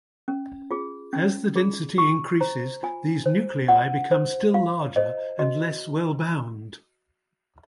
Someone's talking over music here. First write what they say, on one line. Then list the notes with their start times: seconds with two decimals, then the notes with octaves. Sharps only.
As the density increases, these nuclei become still larger and less well-bound.
0.28 C#4
0.71 F4 G#4
1.13 C#4
1.56 F4 G#4
1.98 F4 C#6
2.41 C5 A#5
2.83 F4 G#5
3.26 C5
3.68 F4 F#5
4.11 C5
4.54 F4 F5
4.96 C5 D#5
5.39 F#4 D#5